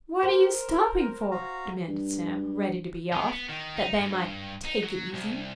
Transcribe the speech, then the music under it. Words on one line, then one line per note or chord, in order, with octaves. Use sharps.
"What are you stopping for?" demanded Sam, ready to be off, that they might "take it easy."
A#4 C5
F#4 F5 A#5
G2
D#3
B3
D#3
D#4
G2
D#4
F#3
C2